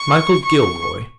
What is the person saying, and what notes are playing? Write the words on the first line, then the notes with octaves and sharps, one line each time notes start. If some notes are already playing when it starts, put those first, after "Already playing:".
"Michael Gilroy?"
Already playing: C#6
C#6